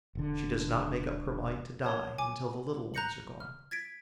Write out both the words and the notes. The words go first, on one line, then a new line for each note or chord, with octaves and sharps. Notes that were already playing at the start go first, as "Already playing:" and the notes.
She does not make up her mind to die until the little ones are gone.
E1 D3
A#4 C#5 A5
G#5 D6
A#5 F#6 G6 A#6 C#7 F#7
F6
G#6 A6 B6 D7